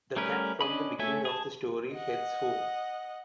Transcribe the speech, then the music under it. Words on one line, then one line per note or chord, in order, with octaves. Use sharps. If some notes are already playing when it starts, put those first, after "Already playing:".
The cat from the beginning of the story heads home.
G3 A3 C#4 A#4 B4
C#4 D4 D#5 B5
A3 A4 C#5 E5 G#5
G#4 A5
D#5 F#5